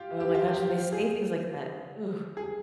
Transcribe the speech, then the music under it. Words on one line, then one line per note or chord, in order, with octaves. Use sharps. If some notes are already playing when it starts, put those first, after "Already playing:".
Oh my gosh, when they say things like that, ooh.
Already playing: F4 G4
G4
F4
G4
G#4
G#4